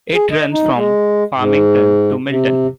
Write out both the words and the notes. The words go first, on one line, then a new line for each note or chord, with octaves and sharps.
It runs from Farmington to Milton.
G#4
D#5
D#4
G#3
G#2
C3